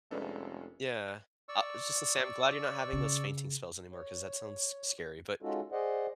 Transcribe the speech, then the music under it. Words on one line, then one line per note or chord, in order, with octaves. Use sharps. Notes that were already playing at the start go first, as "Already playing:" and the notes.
Yeah. I just to say, I'm glad you're not having those fainting spells anymore 'cause that sounds scary, but
F1 G#3 C#4 D4 A4 B4 E5
D5 C#6 E6
C#3
C#5
G#3 C#4 D#4 F4 F#4 A4
G#4 C5 D5 D#5 F#5